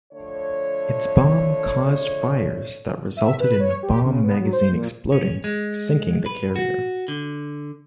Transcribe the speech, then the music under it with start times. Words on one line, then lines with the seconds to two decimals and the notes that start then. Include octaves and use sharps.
Its bomb caused fires that resulted in the bomb magazine exploding, sinking the carrier.
0.13 D3 F3 A3 C#5
3.17 E5
3.40 B4
3.60 C#5
3.83 G4
4.05 C#3
4.23 B3
4.40 F#3
4.52 C5
4.72 A#2
5.12 C#4
5.44 G#3
6.26 B4
6.56 F#4
7.08 D3